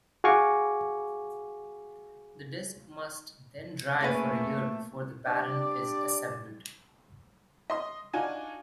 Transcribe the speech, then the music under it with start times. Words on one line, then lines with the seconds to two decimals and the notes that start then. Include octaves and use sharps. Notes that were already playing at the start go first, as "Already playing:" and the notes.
The disk must then dry for a year before the baren is assembled.
0.24 F#4 G#4 F5 G#5 C#6 D6
4.01 A3 A#3 C#4 G#4 B4
5.27 D4 G4 D5
7.70 D#5 C6
8.13 D4 D#4 F4 F#4 G#5